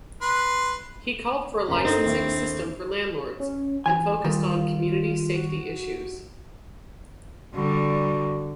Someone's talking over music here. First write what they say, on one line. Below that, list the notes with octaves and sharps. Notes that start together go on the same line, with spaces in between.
He called for a licensing system for landlords, and focused on community safety issues.
B4 C6
F#1 F#2 C#4 A#4 A#5
C4 D4 D#4 A4
D#2 E4
C#4
E3 G#5
D#3 G3 F4
F#4
D3 G3 F#4